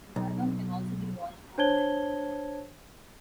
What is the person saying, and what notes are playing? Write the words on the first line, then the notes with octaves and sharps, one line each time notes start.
The Marathon can also be watched online.
B1
D4 C5 C#5 A5 G#6 G7